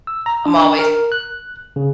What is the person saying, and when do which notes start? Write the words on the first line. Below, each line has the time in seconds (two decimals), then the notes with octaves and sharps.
I'm always
0.07 E6
0.26 A#5
0.46 D4
0.79 A#4
1.12 F#6
1.76 C#3